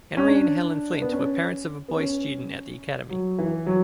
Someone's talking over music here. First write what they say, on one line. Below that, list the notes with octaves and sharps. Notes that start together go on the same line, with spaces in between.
Henry and Helen Flynt were parents of a boy student at the academy.
C#4
D4
B3
C#4
B3
C#4
F#3
E3
F#3